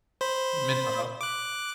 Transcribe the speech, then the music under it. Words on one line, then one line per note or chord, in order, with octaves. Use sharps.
your mental health.
C5 B5
D6 F#6